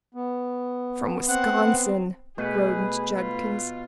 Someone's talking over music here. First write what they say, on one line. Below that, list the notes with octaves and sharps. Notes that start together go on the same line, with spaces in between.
"From Wisconsin!" groaned Judkins.
B3
C4 F#5
B2 A3 G#4 B4
F4